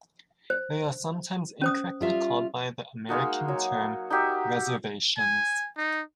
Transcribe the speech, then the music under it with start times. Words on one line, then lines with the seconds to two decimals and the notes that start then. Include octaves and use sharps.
They are sometimes incorrectly called by the American term "reservations".
0.50 C5
1.62 C#4 C5 D#6
2.01 G3 F4 E5
3.09 G#3 A#3 D#4 F#4
3.48 F#3
4.10 D#4 F#4 G4 E5
5.18 G#5
5.77 D#4